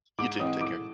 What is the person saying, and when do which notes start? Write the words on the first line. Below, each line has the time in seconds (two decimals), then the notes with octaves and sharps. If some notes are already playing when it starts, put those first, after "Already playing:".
You too, take care.
0.18 G#2 D6
0.39 E3 G#3 C4 D#6
0.61 A2 D6